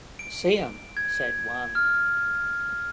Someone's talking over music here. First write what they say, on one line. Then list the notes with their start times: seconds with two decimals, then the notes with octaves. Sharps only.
'See 'em,' said one.
0.19 D7
0.97 G#6
1.75 F6